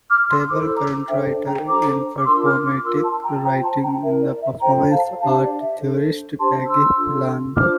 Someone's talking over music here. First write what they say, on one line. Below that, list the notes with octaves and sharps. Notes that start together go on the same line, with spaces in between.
A notable current writer in performative writing is the performance art theorist Peggy Phelan.
D6 F6
C6 E6
E4 A4 C5 D6
E6
A#5 D6
D4 A4 C5 E5 G5
D5
G5 A#5
D4 A4 C5 A#5 D6
D6
D4 F4 A#4 C6 E6
D6 F6
D6 F6
F4 A#4 C6 E6
A5 C6
G5 A#5
F4 C5 G5 A#5
A5 C6
G5 A#5
E4 A#4 E5
D5
E5
F4 A4 C5 G5 A#5
F5 A5
D4 G4 C5 F5 A5
D5
E5
D4 A4 C5
D4 G4 C5 A5 C6
C6 E6
D4 F4 A4
D4 F4 C5 D6 F6